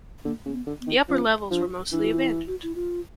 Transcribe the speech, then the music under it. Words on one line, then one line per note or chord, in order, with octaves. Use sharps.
The upper levels were mostly abandoned.
D3 A#3
C#3 A#3
B3
D3
B3
D#3
F3 C#4
F3 D4
E3 D4
F#4
F4
E4
F#4
E4
F4